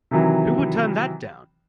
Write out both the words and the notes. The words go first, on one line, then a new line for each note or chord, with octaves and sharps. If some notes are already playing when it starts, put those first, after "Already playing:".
Who would turn that down?
C3 D#3 E3 F#3